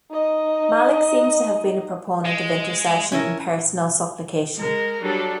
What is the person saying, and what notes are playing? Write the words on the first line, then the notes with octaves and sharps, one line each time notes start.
Malik seems to have been a proponent of intercession in personal supplication.
D#4 D#5
G#3
C#4 E4 A#4
G#3 A#4
F#3 G3 D4 A4